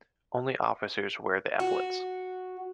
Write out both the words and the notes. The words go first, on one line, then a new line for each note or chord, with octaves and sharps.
Only officers wear the epaulettes.
F#4